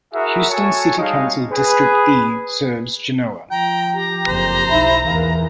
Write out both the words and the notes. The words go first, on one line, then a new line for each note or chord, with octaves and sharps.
Houston City Council District E serves Genoa.
E4 F#4 G#4 A#4 E5
F#4 A4 C#5 G#5 A5 C#6
G3 G#3 D#4 C#5 D#5 F5
G#4 B4
F3 G5 A#5
G4 A#5
F#1 F2 C5
B1 D#4 E4 E5 B5
E2 E3 A#4 F5